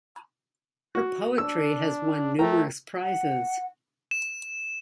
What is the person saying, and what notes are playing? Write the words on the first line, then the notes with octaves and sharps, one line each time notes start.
Her poetry has won numerous prizes.
F#4
D4 E6
A3 A#4 G5 A#5
F#5
E7